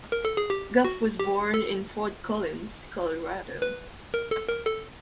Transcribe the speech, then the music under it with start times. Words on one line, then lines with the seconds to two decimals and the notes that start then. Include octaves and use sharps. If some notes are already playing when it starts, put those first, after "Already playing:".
Goff was born in Fort Collins, Colorado.
0.12 A#4
0.25 A4
0.37 G#4
0.50 G4
0.85 F#4
1.20 G4
1.54 A4
3.62 B4
4.14 A#4
4.31 A4
4.49 A#4
4.66 A4